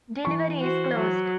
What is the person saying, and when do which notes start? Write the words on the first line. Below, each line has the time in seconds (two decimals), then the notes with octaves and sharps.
Delivery is closed.
0.25 E3 C#6
0.62 F#4 C5
0.95 F#3